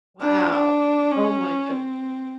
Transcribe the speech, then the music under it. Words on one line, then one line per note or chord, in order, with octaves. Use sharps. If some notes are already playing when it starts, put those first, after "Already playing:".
Wow. Oh my good
D4
D4
C#4
C4